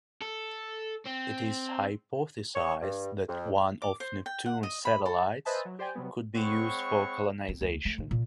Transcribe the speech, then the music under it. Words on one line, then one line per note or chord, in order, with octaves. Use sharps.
It is hypothesized that one of Neptune's satellites could be used for colonization.
A4
C4
C#5
G2
F2
D6
C5
G5
F#5
D#5
B5
A4
B4 C5 D#5 E5 G#5 A5
F#3
G4 C5 D5 G5 G#5
C3 F#3 G3 B3
G#3 C4 C#5 F#5 B5 C#6
C4
D2
A3
G#2
A#2